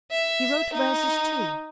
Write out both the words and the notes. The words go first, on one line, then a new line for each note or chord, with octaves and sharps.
He wrote verses too.
E5
D#4